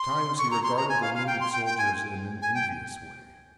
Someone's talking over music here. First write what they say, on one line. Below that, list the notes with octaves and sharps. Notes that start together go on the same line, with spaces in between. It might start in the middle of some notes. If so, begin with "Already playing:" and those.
At times he regarded the wounded soldiers in an envious way.
Already playing: C6
C#6
A#5
C6
A#5
G#5
F5
F5
G5
C6
G5
G5
G#5
G#5
G5